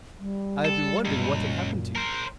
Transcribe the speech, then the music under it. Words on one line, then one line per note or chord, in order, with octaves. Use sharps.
I have been wondering what had happened to you.
G3
A4
C#2 F#2 A#2
A#4 C5